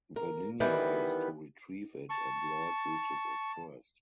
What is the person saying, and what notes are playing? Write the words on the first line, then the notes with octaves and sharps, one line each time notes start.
The ninja race to retrieve it and Lloyd reaches it first.
A#4
D#3 E3 G3 B3
A5 C#6